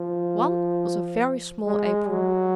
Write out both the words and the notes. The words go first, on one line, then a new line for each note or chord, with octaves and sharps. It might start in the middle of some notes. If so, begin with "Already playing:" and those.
One was a very small apron.
Already playing: F3
G#3
F#3